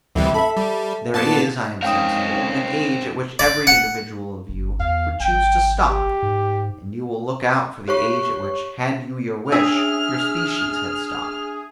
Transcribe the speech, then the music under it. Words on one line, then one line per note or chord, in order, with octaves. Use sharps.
There is, I am sensible, an age at which every individual of you would choose to stop; and you will look out for the age at which, had you your wish, your species had stopped.
D2 C3 E3 G3
A4 D#5 E5 B5
G3
A#2 B3 A5 A6
G#3 C4 C#4 D#4 A#4 F5 G5 D#6
D5
F#5
G1
E2 F5
G#1 G5
G4
G#2
G4 C#5 C#6
D4 G#4 E5 F6